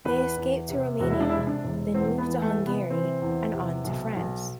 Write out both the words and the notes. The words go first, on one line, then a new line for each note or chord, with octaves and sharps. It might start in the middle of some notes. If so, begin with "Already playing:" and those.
They escaped to Romania, then moved to Hungary, and on to France.
E2 B4
E2
C3
E1 F#4
E4
D4
C3 E4
D4
E1
E2 C4
B3
E3
A3
C3
B3
E3 C4
E2
C3
B1
B1